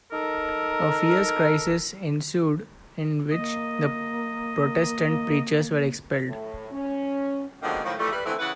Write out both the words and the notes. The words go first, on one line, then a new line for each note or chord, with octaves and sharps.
A fierce crisis ensued in which the Protestant preachers were expelled.
D#4 A4 A#4
A#3 D#5
A2
C#4
B2 D3 D#3 F3 G#3 A#3
A2 D#3 F3 A3
E3 F3 G3 A3
G3 B4
D3 E3 A3 B3 C4
C#3 E3 B4 F#5